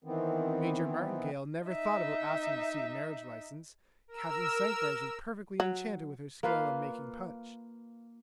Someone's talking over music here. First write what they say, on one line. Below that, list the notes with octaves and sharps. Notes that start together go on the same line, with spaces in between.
Major Martingale never thought about asking to see the marriage licence, Captain Cinqbars was perfectly enchanted with her skill in making punch.
D#3 E3 B3 C4
D#4 E5
A#4 E6
F#3
A#3 F4 B4 F5